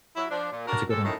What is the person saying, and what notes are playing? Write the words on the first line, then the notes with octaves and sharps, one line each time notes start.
That's a good one.
F#3 E4
F3 D4
A#2
D4 F#4 A#4
G#3 G4 A4
F#2 A2 D#3